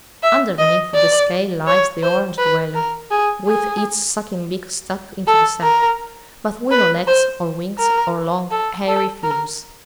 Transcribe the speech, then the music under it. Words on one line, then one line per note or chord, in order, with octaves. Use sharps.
Underneath the scale lies the Orange-dweller, with its sucking-beak stuck into the sap, but with no legs or wings or long, hairy feelers.
E5
D#5
D5
C#5
C5
B4
A#4
G#4
G#4
A4
A#4
B4
C5
A#4
A4
A4
A#4